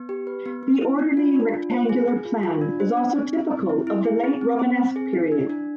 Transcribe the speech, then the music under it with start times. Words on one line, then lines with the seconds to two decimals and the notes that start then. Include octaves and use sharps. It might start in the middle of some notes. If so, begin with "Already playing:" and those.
The orderly, rectangular plan is also typical of the late Romanesque period.
Already playing: B3
0.09 G4
0.27 B4
0.46 B3
0.63 B3
0.81 E4
0.99 D4
1.17 F4
1.36 D4
1.54 F4
1.71 C5
1.89 G#4
2.08 G#4
2.25 F4
2.43 F4
2.61 D4
2.80 C5
2.97 D4
3.16 C4
3.33 E4
3.51 C4
3.69 E4
3.87 E4
4.06 G#4
4.23 C4
4.41 C4
4.59 C5
4.78 C4
4.96 G#4
5.13 E4
5.32 D4
5.50 D4